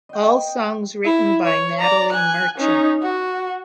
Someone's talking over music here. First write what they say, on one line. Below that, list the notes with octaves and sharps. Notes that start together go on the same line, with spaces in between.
All songs written by Natalie Merchant.
D#5 G5
E4
C#5
D5 A#5
G#5 F#6
C#4 D#4
F#4